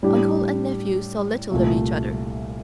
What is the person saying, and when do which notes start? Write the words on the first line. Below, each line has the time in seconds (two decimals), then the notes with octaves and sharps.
Uncle and nephew saw little of each other.
0.03 A2 G3 D4 G4
1.51 C2 A#2 A3